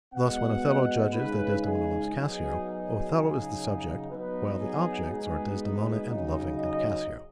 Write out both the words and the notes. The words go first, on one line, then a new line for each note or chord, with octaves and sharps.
Thus, when Othello judges that Desdemona loves Cassio, Othello is the subject, while the objects are Desdemona and loving and Cassio.
B2 G#3 B3 F#5
C#3 G#3 D#4 B4
G#4
B2 F#3 D#4 G#4
G#4
C#3 F#3 D#4
F#3 B3 D#4 B4
G#4
B2 G#3 B3 D#4 G#4
C#3 F#3 D#4
D#5